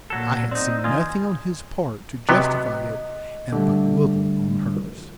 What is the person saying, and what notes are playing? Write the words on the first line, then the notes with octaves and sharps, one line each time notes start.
I had seen nothing on his part to justify it and but little on hers.
A#2 F#3 A4
C4 D#4 D5
D#3 D#4 F4 G#5 C6 G#6
C3 F#3 B3 D#5
D3 G3 A3